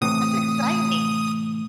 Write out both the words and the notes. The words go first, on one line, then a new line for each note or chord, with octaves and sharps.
That's exciting.
A2 C3 E3 D#6